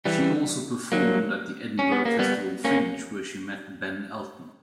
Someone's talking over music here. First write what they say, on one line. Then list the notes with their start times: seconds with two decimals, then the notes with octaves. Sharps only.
She also performed at the Edinburgh Festival Fringe, where she met Ben Elton.
0.06 E3 G3
0.92 F#3 A#3
1.79 C#4
1.92 B3
2.05 A#3
2.19 G3 B3
2.65 A#3 C#4